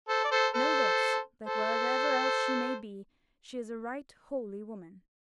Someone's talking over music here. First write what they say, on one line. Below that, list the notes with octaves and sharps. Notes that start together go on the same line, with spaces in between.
Know this, that whatever else she may be, she is a right holy woman.
A4 C5
D5
A4 C5
A4 C5
A4 C5